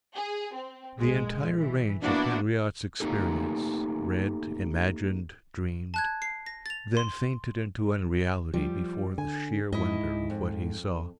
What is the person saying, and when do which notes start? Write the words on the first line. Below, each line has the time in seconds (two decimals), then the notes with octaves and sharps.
The entire range of Henriot's experience, read, imagined, dreamed, then fainted into unreality before the sheer wonder of what he saw.
0.15 G#4
0.55 C4
0.98 A#1 G#3
1.56 E3
2.02 A#3 B3 D4 E4 F#4
3.00 A3 A#3 D#4 G4 A4
5.94 A5 F#6 G#6
6.22 C7
6.46 A#6
6.66 A6 F7
6.97 C6
8.54 F3 G3
9.18 D3 G#5
9.72 G#2 E4 D#5
10.30 F2